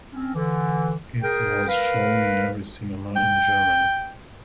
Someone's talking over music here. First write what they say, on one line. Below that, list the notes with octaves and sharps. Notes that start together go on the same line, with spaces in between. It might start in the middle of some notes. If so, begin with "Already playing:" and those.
It was shown in every cinema in Germany.
C4 C#4
D3 E3
G#4 A#4 G5
A#4 B4 F5
G5